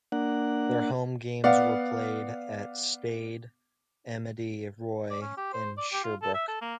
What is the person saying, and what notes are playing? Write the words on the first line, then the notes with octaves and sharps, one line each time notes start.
Their home games were played at Stade Amedee Roy in Sherbrooke.
A#3 D4 F#5
B3 D5 F5 F#5
D5
C#4
G4
C5
D5
G4
F4
A4
E5
A4
A#3